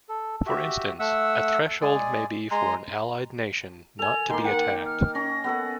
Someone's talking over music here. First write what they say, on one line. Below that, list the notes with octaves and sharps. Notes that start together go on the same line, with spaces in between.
For instance, a threshold may be for an allied nation not to be attacked.
A4
F#4 G4 E5
A3 E5 F#5 E6
G#3 G#4 D5 G#5
G#3 G#5 A#5 C6
A4 G#5 F7
D#3 A#3 C6
F#5 G5
F6
C#4 A#6
B3 A4 F#5